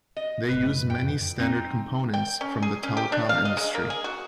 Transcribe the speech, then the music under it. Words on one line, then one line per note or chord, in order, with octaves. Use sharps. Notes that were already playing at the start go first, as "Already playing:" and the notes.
They use many standard components from the telecom industry.
D#5
F#1 A2 B4
F2 G5
C4 D#4
G5
C#4
G#4
C#4
G4
D4
F5
D#5
G#3
A#3
G#4
F#4